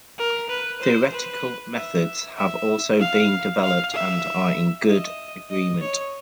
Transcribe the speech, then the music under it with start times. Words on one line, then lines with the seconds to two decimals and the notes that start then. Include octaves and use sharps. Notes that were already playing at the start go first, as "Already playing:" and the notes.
Theoretical methods have also been developed and are in good agreement.
0.18 A#4
0.50 B4
0.81 C5
1.12 B4
1.75 E5
2.37 E5
2.99 F5
3.63 F5
3.94 E5
4.87 D#5
5.50 D#5
5.81 C#5